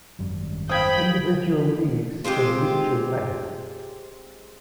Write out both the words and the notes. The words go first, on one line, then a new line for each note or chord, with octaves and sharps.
Individual leaves can reach in length.
G#1 F#2 G3
C5 F5 G5 B5 D#6 G#6
G#3 C4 F4 G4